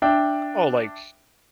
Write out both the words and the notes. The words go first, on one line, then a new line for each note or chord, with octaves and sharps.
"Oh, like,
D4 E5 G5